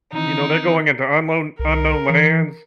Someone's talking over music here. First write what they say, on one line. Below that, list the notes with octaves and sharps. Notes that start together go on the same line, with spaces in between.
you know, they're going into unknown unknown lands.
D#3 E3 C4 D#4
C2 A#4
E3